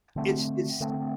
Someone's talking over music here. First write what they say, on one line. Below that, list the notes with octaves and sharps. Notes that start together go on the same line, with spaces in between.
It's it's
D3 A3 C4
D3 A3 C4